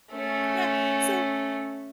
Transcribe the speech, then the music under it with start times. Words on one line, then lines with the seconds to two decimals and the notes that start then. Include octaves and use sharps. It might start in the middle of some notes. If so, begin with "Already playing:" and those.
Yeah. So
0.13 A3 C#4